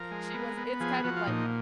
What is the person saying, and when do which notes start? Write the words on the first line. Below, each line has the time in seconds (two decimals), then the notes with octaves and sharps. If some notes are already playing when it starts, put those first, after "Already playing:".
She was it's kind of like
Already playing: F3 A#4
0.11 G#3
0.34 B3
0.57 B3
0.80 F3 G#4
1.04 F3 F#4
1.17 F4
1.27 A#2 D#4